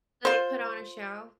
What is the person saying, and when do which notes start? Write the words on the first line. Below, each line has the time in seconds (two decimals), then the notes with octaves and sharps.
So, they put on a show?
0.25 F4 C5